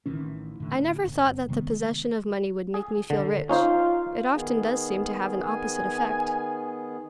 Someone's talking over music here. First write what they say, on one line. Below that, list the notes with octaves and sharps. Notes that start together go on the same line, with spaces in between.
I never thought that the possession of money would make me feel rich: it often does seem to have an opposite effect.
A1 D#3 E3 C#4
A2 D3 E3
G1
C3 D#3 G#3 B3
G#4
D3
C#4 D#4 F4 C5
D#3 B3 G#4
G#5